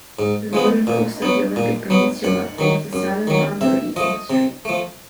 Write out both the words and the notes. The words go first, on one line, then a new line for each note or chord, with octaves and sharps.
The northern coast of the Olympic Peninsula forms the southern boundary of the strait.
G#2
F3 G#3 B3
A#2
F#3 B3
A#2
F#3 B3
F#2 F#5
D#3 F#3
F#2
D#3 F#3
C3 E5
F3 A3 D#5
C3
F3 A3